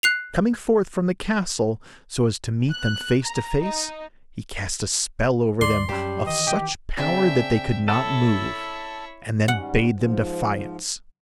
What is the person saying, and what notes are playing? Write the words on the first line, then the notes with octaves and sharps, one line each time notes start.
Coming forth from the castle so as to meet them face to face, he cast a spell over them of such power that they could not move, and then bade them defiance.
F#6 C7 F7
F#6
A#5
D#4
D2 D5 C6
F#2 G3 C#4 G4 A5
D#3 E3 D#5
G4
C#3 C4 D4 E5 G5
E4 A4 C#5
G#2 G3 C#4 F#5
G#2 F3